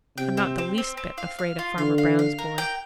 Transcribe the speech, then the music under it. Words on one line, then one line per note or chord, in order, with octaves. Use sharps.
I'm not the least bit afraid of Farmer Brown's boy.
C3 G5
C4
C4
C4
C4
F5
F5
F4
D3 F5
F5
F5
A#4
G5